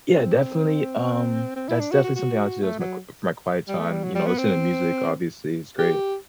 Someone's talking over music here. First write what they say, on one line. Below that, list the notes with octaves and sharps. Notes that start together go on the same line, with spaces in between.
yeah, definitely um, that's definitely something I like to do as my qu for my quiet time, you know, listen to music, obviously, is great,
C4
C4
E4
D4
F#4
F#4
F#4
A3
F#3
G3
A3
G3
F#3
G3
B3
C4
G4